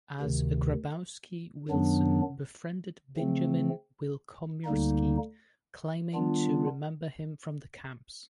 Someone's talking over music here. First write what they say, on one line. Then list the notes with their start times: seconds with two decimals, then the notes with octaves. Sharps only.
As Grabowski, Willson befriended Binjamin Wilkomirski, claiming to remember him from the camps.
0.21 D2 C3 D#3
1.69 F#2 D#3 F#3 B3 D4
3.18 C#3 F3 A3 C4
4.65 D2 D3 G3 A#3 D#4
6.14 D#3 G3 B3 D4 F4